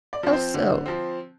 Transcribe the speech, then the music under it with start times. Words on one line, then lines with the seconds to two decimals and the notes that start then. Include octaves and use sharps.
"How so?"
0.13 D5
0.23 F3 C4
0.33 C5
0.54 D3
0.86 F3 C4